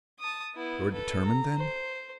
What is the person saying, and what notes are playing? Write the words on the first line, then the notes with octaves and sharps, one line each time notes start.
"You are determined then?"
A5 D#6
B3 E4
A4 B4
A#5
C5